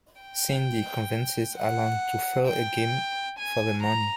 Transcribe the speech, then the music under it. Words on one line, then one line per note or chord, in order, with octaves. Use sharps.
Cindy convinces Alan to throw a game for the money.
G5
F#5
G5
G#5
A#5